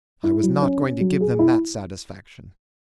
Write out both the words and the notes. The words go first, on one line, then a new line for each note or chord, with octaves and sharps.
I was not going to give them that satisfaction.
E4
F#3
C#4
C#4
F#3
G#4
E4